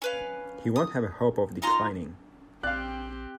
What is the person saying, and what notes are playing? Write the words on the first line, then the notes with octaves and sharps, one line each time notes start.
He won't have a hope of declining.
C#4 B4 F5
D#6
D#4 F4 A#5 C6
A#1 C4 G4 D5 F5 F#6